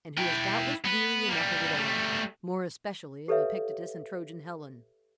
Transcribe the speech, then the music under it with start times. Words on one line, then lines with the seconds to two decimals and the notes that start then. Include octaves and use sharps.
"And who is doubtless weary enough of it all--more especially of Epictetus and Trojan Helen."
0.18 E4 G5
0.85 B3 B4
1.29 G3 A#3
1.79 G3 A3
3.28 G4 A4 B4 C#5 E5 F5